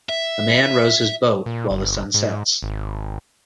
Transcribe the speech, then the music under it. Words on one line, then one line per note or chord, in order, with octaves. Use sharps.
A man rows his boat while the sun sets.
E5
A#2
G1
G#2
G#1